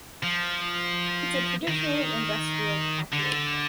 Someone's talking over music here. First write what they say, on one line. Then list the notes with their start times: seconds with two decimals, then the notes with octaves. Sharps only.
It’s a traditionally industrial population.
0.23 F3
1.68 D#3
3.13 D3